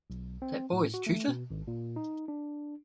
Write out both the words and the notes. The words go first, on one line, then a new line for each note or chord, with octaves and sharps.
That boy's tutor?
B1
C4
A2
F#4
A3
B2
G#1
A#2
D#4
D4